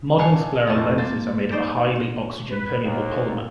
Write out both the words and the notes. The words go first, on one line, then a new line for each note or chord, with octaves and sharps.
Modern scleral lenses are made of a highly oxygen permeable polymer.
A#2 A4 D#5 F5 F#5 G#5 A5 C#6
F1 F3 A3 A5 D#7
A#3 C5 A6
D#4 C5 D5
B4
D#2